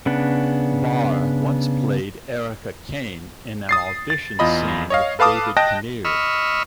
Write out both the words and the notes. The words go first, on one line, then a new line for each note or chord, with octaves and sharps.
Barr once played Erica Kane in an audition scene with David Canary.
C#3 B3 D4
D#6 A6 C7
A6
E2 F4 D#5 B5
C#5 D#5 F5
A4 B4 F5 A5 D6 D#6
D#5 G5 A5 F#6 A#6
D#5 B5 C#6 E6 F6